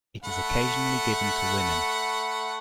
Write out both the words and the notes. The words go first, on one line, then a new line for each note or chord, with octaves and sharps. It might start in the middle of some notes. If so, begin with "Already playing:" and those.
It is occasionally given to women.
A3 F#5 B5